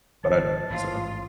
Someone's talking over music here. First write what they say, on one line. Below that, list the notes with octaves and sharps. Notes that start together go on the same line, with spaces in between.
but I don't think so.
G#1 D#3 F3 A5
A1 G#2 E3 F4